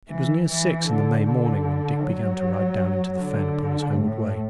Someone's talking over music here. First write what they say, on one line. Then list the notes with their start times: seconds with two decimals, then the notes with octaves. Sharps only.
It was near six in the May morning when Dick began to ride down into the fen upon his homeward way.
0.09 E3
0.47 E3
0.86 D3
1.24 D3
2.01 F#3
3.17 D3
3.94 A2